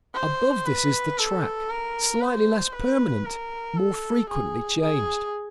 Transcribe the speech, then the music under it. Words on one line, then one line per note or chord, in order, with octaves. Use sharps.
Above this is the track, slightly less permanent, more frequently changed.
C5
B4
A4
A#4
C5
B4
A#4
A4
G#4
G#4